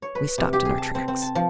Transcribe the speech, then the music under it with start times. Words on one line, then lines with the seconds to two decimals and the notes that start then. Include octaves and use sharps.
We stopped in our tracks.
0.02 C#5
0.15 B4
0.38 C3
0.53 G4
0.65 G#4
0.78 A5
0.95 C4
1.08 C4
1.22 A5
1.35 F3